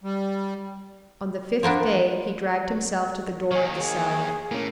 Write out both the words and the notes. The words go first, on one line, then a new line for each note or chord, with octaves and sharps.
On the fifth day he dragged himself to the door of the cell.
G3
F3 A#3 B3 D4
D#2 D#3 C#5 G#5
G#4
A2 A#3 C#4